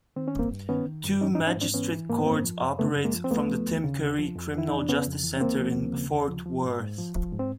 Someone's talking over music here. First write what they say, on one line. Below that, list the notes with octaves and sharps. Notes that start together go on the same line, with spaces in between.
Two Magistrate Courts operate from the Tim Curry Criminal Justice Center in Fort Worth.
D#3 C4
C#4
G2 A#3 C4
G2
D#3 B3 C#4
D#3
G2
E3 C#4 D#4
C#4 D#4
G#2
C#4 D#4
G#2
C4 D4
E3 B3 C#4
E3
G#2 A#3
B3
F#2 A#3 C4
F3
F#2
C#3 A3 B3
F#2
G#3 A#3
F3
C4
D#2 A3 B3
F3
D#2
C#3
D#2
F3
F2
E3 E4
F2 D#4
D4
C#3 B3 C#4
F2
E3
C#4
D#2 A#3 C4
F3
D#2
C#3
D#2
F3
F3
G#2
G#2
F3
F3
G#2
C4